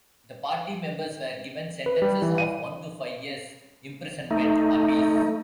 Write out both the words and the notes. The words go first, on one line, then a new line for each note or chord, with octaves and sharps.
The party members were given sentences of one to five years' imprisonment apiece.
B4
G3
E3
D#7
A3 D#4